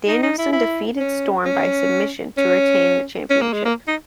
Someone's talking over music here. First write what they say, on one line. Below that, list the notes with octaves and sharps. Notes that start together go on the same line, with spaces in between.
Danielson defeated Storm by submission to retain the championship.
D#4
D#4
E4
E4
C#4
C#4
C#4
C#4
A#3
G#3
A#3
D#4